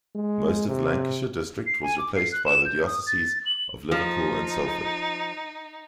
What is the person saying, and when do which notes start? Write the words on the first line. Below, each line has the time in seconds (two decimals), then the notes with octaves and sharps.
Most of the Lancashire District was replaced by the dioceses of Liverpool and Salford.
0.15 G#3
0.68 C3
1.67 C7
1.83 G#5
1.98 D6
2.16 C7
2.32 F#6
2.46 E7
2.65 G6
2.86 D#6
3.07 A6
3.46 F#7
3.91 F3 D#4